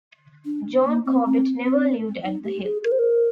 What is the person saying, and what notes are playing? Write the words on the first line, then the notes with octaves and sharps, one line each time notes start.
John Corbett never lived at The Hill.
D4
A#3
C4
C4
C4
D#4
G4
G#4
A#4
C5
A#4